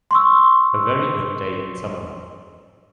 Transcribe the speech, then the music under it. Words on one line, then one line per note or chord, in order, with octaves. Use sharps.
A very good day in Summer.
C6 C#6 E6